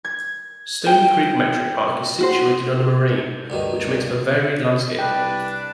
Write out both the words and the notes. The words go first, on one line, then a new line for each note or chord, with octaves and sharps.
Stony Creek Metropark is situated on a moraine which makes for varied landscape.
G#6
G5
F#4 C5
D2 G2 D#3
C2 D4 B4 G5